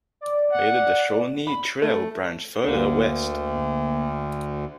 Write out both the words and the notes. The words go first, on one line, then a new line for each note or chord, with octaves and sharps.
Later the Shawnee Trail branched further west.
D5
F#5
B5
A3
D2 D3 A#3